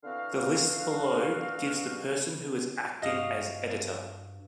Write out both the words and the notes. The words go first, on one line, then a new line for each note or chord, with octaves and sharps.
The list below gives the person who was acting as editor.
D3 E3 C4 F#4 F5
G2 F#4 D#5 F5 D#6